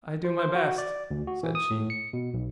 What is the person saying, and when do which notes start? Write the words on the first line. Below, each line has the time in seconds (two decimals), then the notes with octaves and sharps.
"I do my best," said she.
0.25 C5
0.39 C5
0.55 F#4
0.78 D5
1.11 D2
1.27 F#4
1.43 E3
1.55 D#6
1.71 A2
1.90 C#7
2.13 B2
2.34 B1